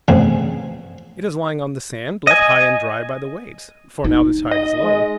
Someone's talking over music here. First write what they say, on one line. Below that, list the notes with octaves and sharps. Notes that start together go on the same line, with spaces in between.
It is lying on the sand, left high and dry by the waves, for now the tide is low.
A1 C#3 E3 F3 C4 G#5
D#5 G#5
D#4
D#5
G#3